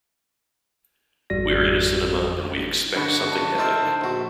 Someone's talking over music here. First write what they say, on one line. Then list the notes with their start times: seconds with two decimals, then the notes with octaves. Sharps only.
We're in a cinema, and we expect something epic.
1.30 G#1 F2 G3 F#4 D5 A#6
2.95 G1 D3 D4 D#4 F#4 G5 B5
3.31 A5
3.58 D#4 E4 A4 C5 D5 F6 D7
3.82 D2
4.01 A#1 F#4 E5